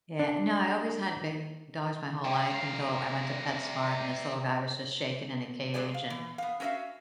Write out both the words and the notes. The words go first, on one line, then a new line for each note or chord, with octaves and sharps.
Yeah, no, I always had big dogs my whole life until I went to PetSmart and this little guy was just shaking in a cage, and
D4
D3 G3 G#3 G5
C3 F5 A#5
F#3 G#3 G4 G#4 D5 G#5
F5
E3
B3 F5
C#4 F#4 A#4 E5 F5